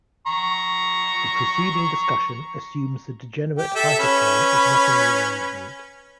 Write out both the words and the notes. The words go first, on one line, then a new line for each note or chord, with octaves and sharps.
The preceding discussion assumes the degenerate hyperplane is not in the arrangement.
A#5 C#6
G4
A4 E5
C#4 B4